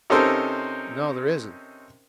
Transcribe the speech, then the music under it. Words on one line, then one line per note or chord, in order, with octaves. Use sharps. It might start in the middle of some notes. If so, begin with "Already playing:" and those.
"No, there isn't."
C3 C#4 D#4 A4 A#4 C5